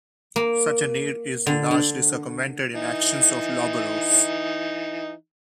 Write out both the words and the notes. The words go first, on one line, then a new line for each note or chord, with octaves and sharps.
Such a need is largely circumvented in actions of lawburrows.
A#3
D3
D3
E3 D#4